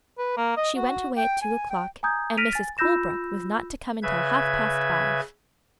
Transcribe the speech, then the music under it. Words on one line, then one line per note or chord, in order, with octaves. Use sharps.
She went away at two o'clock, and Mrs. Colebrook was not to come until half-past five.
B4
A#3
D#5
F#4
G5
G#5
G5
G#5 A#5 D#6 G6 G#6
F6 A#6 B6 D7 D#7 F7
G#5 A6
F4 B5 E6 G6 A#6 E7
C#3 B4 E5 G#6